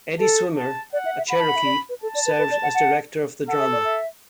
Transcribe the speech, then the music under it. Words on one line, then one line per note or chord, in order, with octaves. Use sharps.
Eddie Swimmer, a Cherokee, serves as director of the drama.
A4 A5
A5
D5 F#5
E5
E5
F#5 B5
A5
F#5
E5
D5
B4
A4 A5
D5
B4
B4
D5
F#5
F#5
A4 F#5
E5
D5
E5